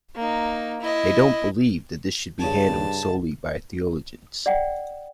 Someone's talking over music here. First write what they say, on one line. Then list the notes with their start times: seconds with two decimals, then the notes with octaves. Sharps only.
They don't believe that this should be handled solely by theologians.
0.16 A#3 D#4
0.81 E4 D#5
2.40 G2 C#3 C#5 G#5 A5
4.46 D5 F#5 G5